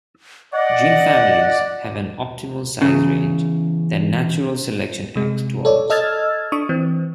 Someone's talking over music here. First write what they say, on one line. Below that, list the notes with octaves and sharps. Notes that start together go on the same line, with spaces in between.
Gene families have an optimal size range that natural selection acts towards.
D5 D#5 F#5
E2 C#3
C3 G#3
A4 C#5 D5
A4 D#5 E6 F6 G#6 A6
D4 C#6 D#6
E3 C4